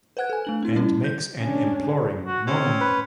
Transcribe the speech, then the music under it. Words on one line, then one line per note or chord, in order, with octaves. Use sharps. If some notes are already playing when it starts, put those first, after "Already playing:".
And makes an imploring moan.
B4 C5 F#5 F#6 G#6
A4 G#5
A3 D4 F#7
C4 E4
G3 C#4 E4
G6
C#4 D4
F#4
C4 C#4
B4